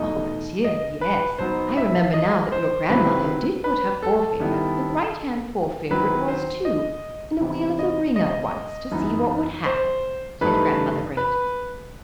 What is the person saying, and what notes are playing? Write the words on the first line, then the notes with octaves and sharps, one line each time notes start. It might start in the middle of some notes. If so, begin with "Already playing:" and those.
"Oh dear, yes; I remember now that your grandmother did put her forefinger, the right-hand forefinger it was, too, in the wheel of the wringer once to see what would happen," said Grandmother Great.
Already playing: E2 B2 A3 D#4 D#5
D#5
B4
B2 F#3 B3 D#4 C5
E5
D#5
C5
C3 D#3 F#3 C4 E4 B4
B4
A4
D#3 G3 B3 E4
D#3 F#3 C4 E4 B4
C5
D#5
C3 E3 B3 D#4
D#5
D#5
F#2 E3 B3 D#4
C5
G2 E3 A3 D#4 B4
B4